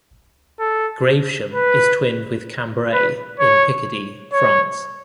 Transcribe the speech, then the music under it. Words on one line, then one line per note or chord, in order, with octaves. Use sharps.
Gravesham is twinned with Cambrai in Picardy, France.
A4
B4
B4
C#5
C#5